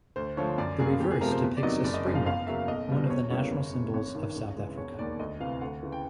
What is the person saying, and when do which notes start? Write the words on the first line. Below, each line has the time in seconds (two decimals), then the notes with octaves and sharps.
The reverse depicts a springbok, one of the national symbols of South Africa.
0.16 D2 C5
0.37 D3 F3 A3 C#5
0.58 F#2 D5
0.79 C#3 F#3 A#3 G#4
1.00 E2 G4
1.11 G#4
1.21 C3 F3 A3 A#4
1.32 C5
1.42 E2
1.57 D5
1.63 C3 D#3 F#3 D#5
1.84 F#1 D5
1.94 D#5
2.05 F#2 C#3 F3
2.15 F5
2.26 E2 F5
2.47 C#3 F#3 A#3 E5
2.68 B1 D#5
2.88 B2 G3
3.06 C5
3.09 E2 C#5
3.31 C#3 E3 G3 A#3 C#5
3.51 F#1
3.73 E2 C3
3.94 G#1 C#5
4.14 G2 D#3
4.36 C#2
4.56 C#3 E3 G#3
4.77 E1 C#5
4.99 D#2 D#3 D5
5.19 D2 D#5
5.40 C3 E3 F5
5.61 D2 F#5
5.83 C#3 E3
5.92 G5